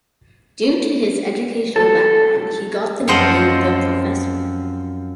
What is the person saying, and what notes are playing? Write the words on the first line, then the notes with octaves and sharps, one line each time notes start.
Due to his educational background, he got the nickname “The Professor”.
A4
F#2 F3 C4 C5 D#5 F#5